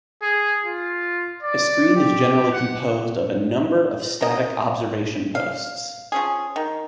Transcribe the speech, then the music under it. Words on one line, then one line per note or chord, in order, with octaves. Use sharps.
A screen is generally composed of a number of static observation posts.
G#4
F4
D5
G4
F#5
A#4 D#5
F5
F3 C#4 G#4
D#3